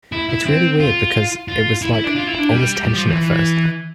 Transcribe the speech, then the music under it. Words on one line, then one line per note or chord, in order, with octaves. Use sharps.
It's really weird because it was like all this tension at first.
E4
E4
C4
F4
F4
E4
E4
D4
F4
E4
D4
G3
G3
F3
E3